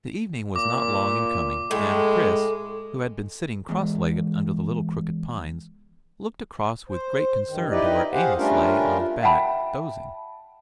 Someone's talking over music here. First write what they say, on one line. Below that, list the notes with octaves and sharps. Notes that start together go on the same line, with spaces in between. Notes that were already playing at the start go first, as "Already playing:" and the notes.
The evening was not long in coming, and Chris, who had been sitting cross-legged under the little crooked pines, looked across with great concern to where Amos lay on his back, dozing.
A#2 D6
A2 G#3
E2 G#2
C5
G2 D#3
D#4 E4 G4 B4 D5 D#5
G4 G#4 C5 F5 F#5
G3 A3 C#4 D4 F4 A#4
E5 F#5 G5 A5 B5